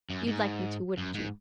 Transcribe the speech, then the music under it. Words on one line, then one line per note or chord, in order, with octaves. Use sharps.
You'd like me to, wouldn't you?'
F#2
G#2
F#2
G#2